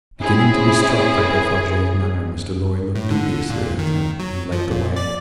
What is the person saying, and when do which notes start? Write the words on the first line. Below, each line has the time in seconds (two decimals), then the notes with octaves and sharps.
Beginning to be struck by Defarge's manner, Mr. Lorry looked dubiously at him, and led the way.
0.22 C4 C#4 E4 G#4
2.95 A2
3.10 D3
3.50 A#2
3.79 D#3
4.19 F#3
4.52 F3
4.71 A#2
4.96 D5